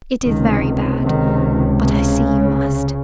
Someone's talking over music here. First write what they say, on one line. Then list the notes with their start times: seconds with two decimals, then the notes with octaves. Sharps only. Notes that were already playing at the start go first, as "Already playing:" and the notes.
It is very bad--but I see you must.
0.25 C#2 C3 D#3
1.04 D#3
1.84 C#3